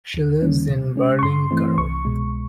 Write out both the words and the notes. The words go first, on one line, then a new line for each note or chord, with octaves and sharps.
She lives in Berlin-Karow.
D#2
D#3 G3 A#3 C#4
B2
G#3 C#4
C#6
G2 C6
E3 A3 C4
C2 C#6
B2 G#3